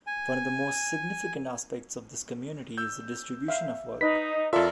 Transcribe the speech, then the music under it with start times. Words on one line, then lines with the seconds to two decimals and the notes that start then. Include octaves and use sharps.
One of the most significant aspects of this community is the distribution of work.
0.07 G#5
2.78 E6 G6
3.48 E5 F5
4.01 D#4 B4 D#5 B6
4.53 F2 F4 A4 A#4 D5 E5 A5